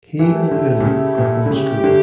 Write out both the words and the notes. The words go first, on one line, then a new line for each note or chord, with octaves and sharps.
He and Oona are homeschooled.
E3 A3 E4 G4
D3
A#2
C#3
A#2
D3
C#3 C#4 E4 G4
D3